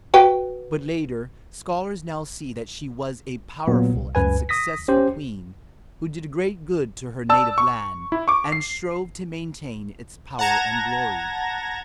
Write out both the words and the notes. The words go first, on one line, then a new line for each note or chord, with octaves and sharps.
But later scholars now see that she was a powerful and successful queen, who did great good to her native land, and strove to maintain its power and glory.
F#4 B4 G5
A#2 F#3 B3
C2
C#2 F#2 B4 G#5
D#6 A#6 B6
C#4 G4 C5
D5 A5 E6
C#6
E4
C#6 D6
C7
F#5 A5 A#5 G#6 A#6